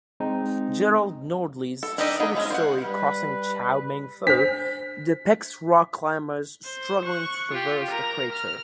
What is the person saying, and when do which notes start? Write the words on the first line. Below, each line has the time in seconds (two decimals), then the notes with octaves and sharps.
Gerald Nordley's short story "Crossing Chao Meng-Fu" depicts rock-climbers struggling to traverse the crater.
0.20 G#3 C4 D#4
1.83 A4
1.98 D4 D#4 G4 A4 D#5
2.20 B3 D#4 G#4
2.35 F3 G#3 B3 C#4
2.50 C5 D5 F#5
2.83 G3 B4
4.27 D4 C5 B6
6.65 C5
7.05 C#6 F#6
7.52 F4 G4
7.91 A#4 A#5
8.33 F6